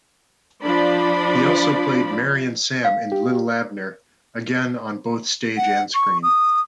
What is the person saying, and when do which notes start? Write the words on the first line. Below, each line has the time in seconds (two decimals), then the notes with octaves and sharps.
He also played Marryin' Sam in "Li'l Abner", again on both stage and screen.
0.63 F3 D4 D5 B5
2.85 F5
3.12 G4
5.57 F#5
5.94 C#6
6.23 D#6